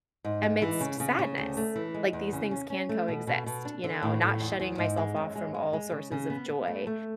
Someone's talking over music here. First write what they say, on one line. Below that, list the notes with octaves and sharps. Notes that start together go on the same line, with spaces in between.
amidst sadness. Like, these things can coexist, you know? Not shutting myself off from all sources of joy,
G#2
G#3
E3
C#3
C#3
C#3
D2
A3
E3
G#3
E2
C#3
C#4
C#4
A3
B2
B2
B2
D4
D3
A2
A2
E2
E2
G#2
G#3
F#2
G#3
G#3
G#3
C#3
C#3
B3
B3
A3
A3